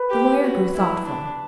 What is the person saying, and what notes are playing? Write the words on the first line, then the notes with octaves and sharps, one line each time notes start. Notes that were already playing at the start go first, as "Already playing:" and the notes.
The lawyer grew thoughtful.
Already playing: B4
G4
F#4
E4
D4